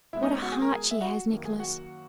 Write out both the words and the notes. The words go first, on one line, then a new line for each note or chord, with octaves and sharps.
What a heart she has, Nicholas!
B2 G#3 B3 E4 E5
D#4 D#5
C#4 C#5
F#4 F#5
G#4 G#5
A#4 A#5
G#4 G#5
E5
F#4 F#5
F#2 D#3 F#3 A#3
G#4 G#5
F#4 F#5